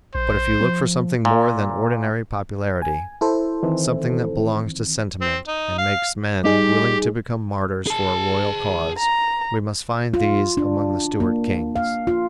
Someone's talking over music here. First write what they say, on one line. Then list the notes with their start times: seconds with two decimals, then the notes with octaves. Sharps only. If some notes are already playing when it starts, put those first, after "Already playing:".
But if you look for something more than ordinary popularity--something that belongs to sentiment and makes men willing to become martyrs for a royal cause--we must find these among the Stuart kings.
0.15 A#1 C5
0.61 F3
1.25 A#2
2.82 G#5
3.21 E4 A4 C5
3.63 D#3 E3 C4
5.21 C4
5.48 D#4
5.78 F5
6.44 G3 D#4 G4 G#4
7.87 G#4 A5
8.98 A#5
10.14 F4
10.57 D4
11.20 A#3
11.76 F5
12.07 F4